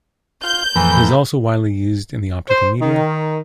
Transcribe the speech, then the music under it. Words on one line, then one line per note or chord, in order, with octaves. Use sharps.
It is also widely used in the optical media.
F4 G6
F2 A2 E3 A#3 B3
C5
D#3